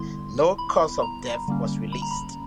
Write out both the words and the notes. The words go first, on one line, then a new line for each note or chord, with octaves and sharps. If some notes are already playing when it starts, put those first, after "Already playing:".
No cause of death was released.
Already playing: D3 G3 B3 E4 C6
B5
A#5
D3 G3 A#3 C#4
B5
A#5
B5